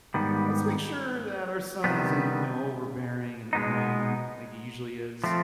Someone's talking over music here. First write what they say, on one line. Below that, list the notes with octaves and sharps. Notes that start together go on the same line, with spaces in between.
"Let's make sure that our son isn't, you know, overbearing and annoying like he usually is."
G#2 D#3 G3 B3
C3 D#3 G3 B3
B2 G#3 B3 D#4
F3 A3 C4